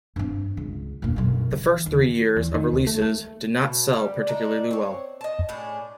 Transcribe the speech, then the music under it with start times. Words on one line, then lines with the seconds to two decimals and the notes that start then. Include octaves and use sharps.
The first three years of releases did not sell particularly well.
0.16 G2 C4
0.57 C#2
1.02 G1 A#2
1.16 B1 F#2
1.52 E3
1.86 D#2
2.37 E2
2.54 D#3
2.73 D2
2.87 A3
3.02 A3
3.62 B2
3.90 F3 G3
4.27 D4 D#4
4.71 C4 C#5
5.21 D#5 A5
5.49 A2 C#4 D4 G#4